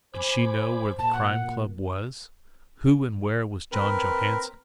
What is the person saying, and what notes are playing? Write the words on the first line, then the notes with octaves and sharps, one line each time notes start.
Did she know where the Crime Club was? Who and where was John Johansson?
C5 G#5 B5 D6
A#2 A5
F#5
C4 A#4 B4